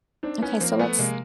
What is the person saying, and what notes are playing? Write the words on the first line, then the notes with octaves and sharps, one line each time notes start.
Okay, so let's
C4 D4 D#4
B3 C#4
F3 A#3 C4
A3 B3
C3 G#3 A#3